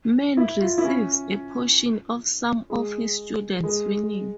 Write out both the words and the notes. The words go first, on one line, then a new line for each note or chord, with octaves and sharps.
Men receives a portion of some of his students' winnings.
E4
F4
E4
C#4
G#3
G#3